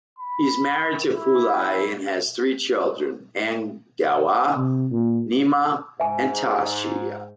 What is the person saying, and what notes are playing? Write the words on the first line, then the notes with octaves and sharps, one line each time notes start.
He is married to Fulli and has three children-Ang Dawa, Nima, and Tashi.
B5
E4
C3
A#2
G#2 E5 G#5